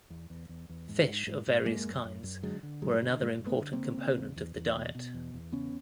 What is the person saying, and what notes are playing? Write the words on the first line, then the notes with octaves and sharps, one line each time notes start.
Fish of various kinds were another important component of the diet.
E2
E2
E2
E2
G#2
G#2
G#2
G#2
F#2 G#3 A#3
F#2
F#2
F#2
D3 F#3 G#3
D3
G2 F#3 G#3
D3
G2 G#3 A#3
G2
A3 B3
D3
A#3 C4
D3
C#3
E2
E2
E2
B2
B2
E2
E2
C#3 B3 C#4